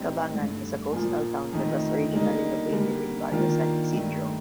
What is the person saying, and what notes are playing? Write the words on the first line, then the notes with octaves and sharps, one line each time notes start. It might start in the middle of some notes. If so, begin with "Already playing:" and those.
Cabangan is a coastal town that was originally located in Barrio San Isidro.
Already playing: A2 G3 C4 D#4
G2 D3 A3
A#2 F3 A#3 F4
F2 D#3 A3 D#4
D3 G3 A#3 D#4
D3 G3 A#3
D#3 A#3 D4 F4
G2 D#3 A3